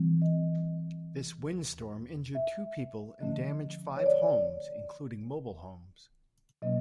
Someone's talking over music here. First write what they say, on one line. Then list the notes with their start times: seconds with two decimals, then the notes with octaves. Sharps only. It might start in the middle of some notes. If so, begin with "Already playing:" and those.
This windstorm injured two people and damaged five homes including mobile homes.
Already playing: E3 G3 C4
0.22 D#5
2.35 E5
3.20 D3 F3 A3 C#4 D#5
3.97 C#5
4.06 D5
6.62 B2 F#3 A#3 C#4 D#5